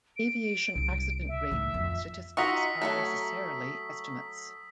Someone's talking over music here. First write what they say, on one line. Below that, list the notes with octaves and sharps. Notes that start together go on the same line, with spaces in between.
Aviation accident rate statistics are necessarily estimates.
D7
C2
E5
A2 D#3
F2
D#4 F4 F#4 A#5 C#6 D#6 E6 B6
F#3 G#3 A3